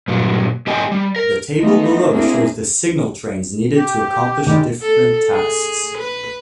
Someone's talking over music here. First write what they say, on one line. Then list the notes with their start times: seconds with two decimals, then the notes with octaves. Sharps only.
The table below shows the signal-trains needed to accomplish different tasks.
0.08 G2 A#2 F#3
0.67 G#2 G4 D#5 G5 G#5
0.92 G3
1.16 A#4
1.57 G#3 A3 B3 D#4 F4
2.10 A3 A#3 C4 D4 E4 G#4
3.76 G4
4.46 D#3 G3 G#3 G4
4.81 A4
5.33 G#4
5.98 B4